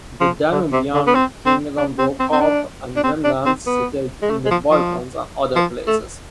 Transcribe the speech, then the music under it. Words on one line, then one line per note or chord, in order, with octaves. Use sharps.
The Danubian kingdom broke up and remnants settled in the Balkans and other places.
F3
D3
C3
D3
B3
C4
C4
D4
C4
C4
C4
D4
D4
C4
D4
C4
B3
G#3
A3
G#3
F3
F3
F3
A3